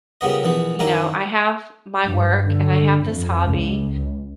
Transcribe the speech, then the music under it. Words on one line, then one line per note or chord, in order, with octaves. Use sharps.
you know, I have my work, and I have this hobby,
A#2 C#3 G3 B3 D#5
A#1 B2 E3 B3
F#2 D#3 A#3 E4 A#5
G2
D3
F2
C#2